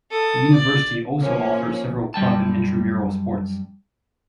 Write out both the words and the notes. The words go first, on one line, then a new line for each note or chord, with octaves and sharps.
The university also offers several club and intramural sports.
A4 D#6
D5
F3 A#3 C#4
F#2 G3 G5 A5